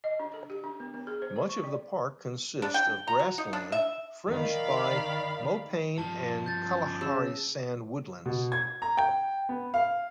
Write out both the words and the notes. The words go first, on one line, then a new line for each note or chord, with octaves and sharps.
Much of the park consists of grassland, fringed by mopane and Kalahari sand woodlands.
D#5
D4
A4
G4
D4
B3
B3
G#4
C5
A4
C#6
D5
D4
G5
A#5
F#4
D#4
D4
E5
D#3 D5 F5 B5
G2 F3 A5
G6 A6
C#4
C#3 E6
B2
G#6
A#5
G5
B3
F5